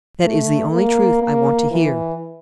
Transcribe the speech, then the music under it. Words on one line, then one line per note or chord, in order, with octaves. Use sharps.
"That is the only truth I want to hear."
A3
A#3
A#3
E3